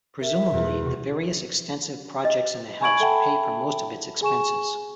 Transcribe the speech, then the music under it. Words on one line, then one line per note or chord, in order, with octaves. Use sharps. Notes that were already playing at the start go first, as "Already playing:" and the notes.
Presumably the various extensive projects in the house pay for most of its expenses.
A#4 E5
E2 B2
C3 F#4
D#5
G#5 B5 C#6 G#6 D7 F#7
A4 E5 F#5 G5 A5 B5
G#4 G#5 C#6 E7